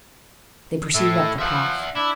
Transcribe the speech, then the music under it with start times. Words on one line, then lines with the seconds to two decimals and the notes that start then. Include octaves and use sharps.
They proceeded up the path.
0.95 A2 E5
1.39 F3 E5 F#5
1.95 D4 E4